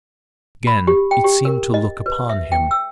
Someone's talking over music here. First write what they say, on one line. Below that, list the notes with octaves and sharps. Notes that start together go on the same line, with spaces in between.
Again it seemed to look upon him.
B5
G4
G5
G4
A#4
D#5
B4
E5
G5
E6